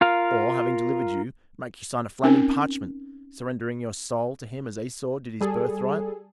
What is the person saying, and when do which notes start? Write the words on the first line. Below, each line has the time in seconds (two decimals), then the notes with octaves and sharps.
"Or, having delivered you, make you sign a flaming parchment, surrendering your soul to him as Esau did his birth-right?"
0.01 F4 A#4 F5
2.23 C4 C#4 D#4 A#4
5.41 G3 G#4 A4